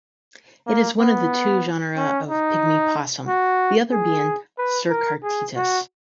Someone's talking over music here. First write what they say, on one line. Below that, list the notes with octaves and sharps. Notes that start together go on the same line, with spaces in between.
It is one of two genera of pygmy possum, the other being "Cercartetus".
A#3
B3
C#4
D#4
F#4
G#4
B4
A#4
G#4
F#4